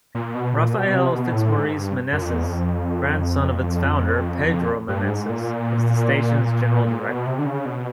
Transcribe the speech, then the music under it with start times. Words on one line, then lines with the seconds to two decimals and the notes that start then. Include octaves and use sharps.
Rafael Fitzmaurice Meneses, grandson of its founder, Pedro Meneses, is the station's general director.
0.15 A#2
0.35 B2
0.53 A#2
0.73 B2
0.93 C3
1.13 B2
1.33 A2
1.53 G#2
1.72 G2
2.12 F#2
2.22 F2
2.33 E2
2.43 F2
4.45 E2
4.49 F2
4.88 G2
5.09 G#2
5.29 A#2
6.86 A#2
7.07 B2
7.26 C3
7.39 D3
7.46 C#3
7.65 B2